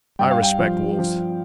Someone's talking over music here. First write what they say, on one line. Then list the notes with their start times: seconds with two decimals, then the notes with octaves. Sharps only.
I respect wolves.
0.19 G2 G5
0.31 F5
0.43 G5
0.59 F3
0.99 F3